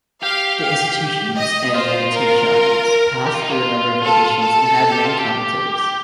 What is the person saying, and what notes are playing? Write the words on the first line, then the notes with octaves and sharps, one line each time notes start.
The "Institutiones" and "Meditationes" passed through a number of editions, and had many commentators.
G4 F5
F5
D#5
F4 C5
A#4
G4
F4
D#4
F4
A4
A4
G4
F4
G4